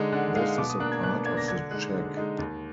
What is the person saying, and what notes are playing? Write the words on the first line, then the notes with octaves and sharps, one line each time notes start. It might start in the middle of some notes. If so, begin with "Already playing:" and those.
This is a part of the check.
Already playing: D3 G#3 D#4
D3 F#5
G#3 D#4 F5
B2 D6
D#6
A#3 D4 F#6
G#6
B2 F#6
A#3 D4 G#6
A#6
D3 G#6
G#3 D#4 F#6
D3
G#3 D#4
D#2